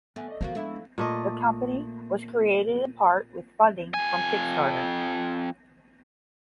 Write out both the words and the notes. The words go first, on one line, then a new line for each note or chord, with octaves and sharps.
The company was created in part with funding from Kickstarter.
A3 B3 F#5 G#5
D5 D#5
C#2 F3 A#3 B3 F#4
G#3 A3 D4 E4
A#2 A3 D#5
F2 G#5